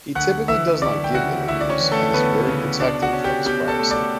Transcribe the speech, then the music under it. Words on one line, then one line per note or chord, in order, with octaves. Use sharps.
He typically does not give interviews and is very protective of his privacy.
D2 F#5 F#6
E3 E5 E6
D2 D5 D6
G5
C#3 F#4 F#5
D2 E4 E5
D5
C#4 C#5
E3
A3 A4
D2 B3 B4
C#3
B2 D4 D5
F#4 F#5
C#4
G4 G5
B2 G4 G5
A4 A5
A3
D5 D6